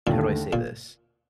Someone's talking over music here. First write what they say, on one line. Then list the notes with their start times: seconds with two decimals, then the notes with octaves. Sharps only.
how do I say this?
0.07 D#2 A#2 D3 A3
0.53 A#2